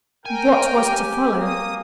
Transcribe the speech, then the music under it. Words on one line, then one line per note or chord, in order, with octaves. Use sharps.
What was to follow?
A#4 G5 G#5
G4
A#3 D#6